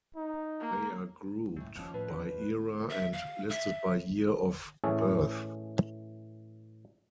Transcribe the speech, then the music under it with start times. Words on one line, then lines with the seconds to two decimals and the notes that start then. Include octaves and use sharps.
They are grouped by era and listed by year of birth.
0.16 D#4
0.60 A#3
1.56 C#2 F#2 A2
1.75 F1 D#2 F3 C#4
1.94 A2 B4
2.09 E2
2.90 E5
3.13 F5
3.50 E5
4.84 A2 E3 C#4 G#4 A4